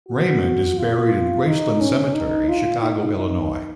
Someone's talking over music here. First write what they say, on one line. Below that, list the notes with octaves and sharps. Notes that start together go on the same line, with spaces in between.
Raymond is buried in Graceland Cemetery, Chicago, Illinois.
F#4
F4
D#4
C#4
D#4
F4
D#4
D#4